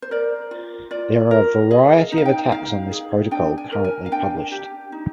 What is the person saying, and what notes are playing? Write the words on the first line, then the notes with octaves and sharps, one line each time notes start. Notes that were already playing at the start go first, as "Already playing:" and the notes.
There are a variety of attacks on this protocol currently published.
C5
A#4 D5
F4
F4 D5
A#4
G#4 D#5
F5
D#4
F5
G5
D#4 F5
G#4
D4 G5
G#5
A#4
G#5
F5
D4 G5
G4
D#4